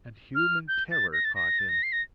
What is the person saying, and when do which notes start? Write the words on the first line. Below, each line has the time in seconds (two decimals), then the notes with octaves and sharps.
And human terror caught him.
0.35 F6
0.68 G6
0.91 A6
1.13 A#6
1.25 A6
1.35 A#6
1.59 A6
1.69 A#6
1.83 C7
1.92 A#6